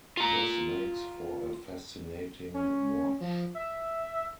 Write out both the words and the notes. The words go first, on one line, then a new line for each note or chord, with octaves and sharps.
This makes for a fascinating watch.
F4 A#5
C#4
F3
E5